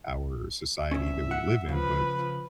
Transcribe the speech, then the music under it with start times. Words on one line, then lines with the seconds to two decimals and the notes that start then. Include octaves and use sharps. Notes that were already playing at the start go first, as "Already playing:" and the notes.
our society that we live in, but,
0.91 C2 C#4 E5
1.31 F#5
1.69 C#3 F3 B4